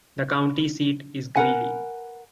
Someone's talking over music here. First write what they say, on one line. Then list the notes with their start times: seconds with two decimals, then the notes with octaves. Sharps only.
The county seat is Greeley.
1.36 A#4 B4 F#5 G#5